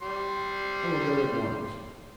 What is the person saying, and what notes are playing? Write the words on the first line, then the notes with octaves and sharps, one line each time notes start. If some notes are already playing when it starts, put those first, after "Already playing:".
I will go at once.
G3 C6